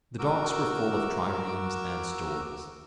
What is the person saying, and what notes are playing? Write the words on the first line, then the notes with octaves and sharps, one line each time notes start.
The docks were full of triremes and stores.
F#4 A#4 D6 E6